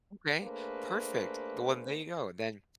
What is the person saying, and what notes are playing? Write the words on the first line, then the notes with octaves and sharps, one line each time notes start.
Okay. Perfect. The one there you go. Then
A3 A#3 D4 G#4 B4 C5